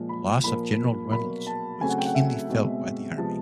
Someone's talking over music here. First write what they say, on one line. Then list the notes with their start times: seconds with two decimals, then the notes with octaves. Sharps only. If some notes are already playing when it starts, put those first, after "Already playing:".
The loss of General Reynolds was keenly felt by the army.
Already playing: A#2 F3 G#3
0.09 B5
0.44 A#2 F3 A#3 B5
1.12 B2 F#3 A#3 B5
1.47 A5
1.81 C#3 F#3 A3 C4 G#5
1.89 F#5
1.98 G5
2.06 F#5
2.15 E5
2.49 B2 G#3 C4
3.18 C3 F3 G#3 B3 A5